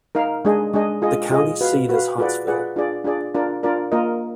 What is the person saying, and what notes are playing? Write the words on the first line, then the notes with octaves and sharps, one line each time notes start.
The county seat is Huntsville.
D#4 A#4 F5
G#3 D4 G#4 D#5
G#3 D4 G#4 D#5
F4 G#4 D#5
F4 G#4 D#5
F#4 B4 F5
F#4 B4 F5
F4 G#4 B4 D5 F#5
F4 G#4 B4 D5 F#5
D4 F4 G#4 D5
D4 F4 G#4 D5
D4 F4 A#4 D5
D4 F4 A#4 D5
A#3 F4 A#4 D#5